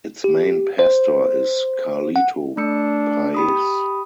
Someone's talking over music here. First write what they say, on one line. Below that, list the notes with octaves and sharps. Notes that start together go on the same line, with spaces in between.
Its main pastor is Carlito Paes.
G4
C5
F#5
A3 D4 E6 C#7
G4 B5 D#6